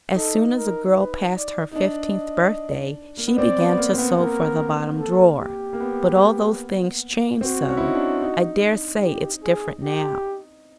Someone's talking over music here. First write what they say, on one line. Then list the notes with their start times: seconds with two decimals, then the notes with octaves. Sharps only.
As soon as a girl passed her fifteenth birthday, she began to sew for the "bottom drawer." But all those things change so, I dare say it's different now.'
0.15 D#4 A4
0.55 A#4
0.96 B4
1.36 D5
1.72 D#4
1.76 D4 D#5
3.17 A#3
3.28 B3
3.38 C4 D5
3.58 B3
3.78 A#3
3.93 C4
3.98 B3
4.11 B3
4.18 A#3 A#4
4.99 A4
5.39 G4
5.73 A#3
5.80 B3
7.41 C4 F#4
7.68 C#4
7.77 E4
7.86 D#4
7.95 D4
8.22 D#4
9.03 G4
9.43 G#4
9.83 G4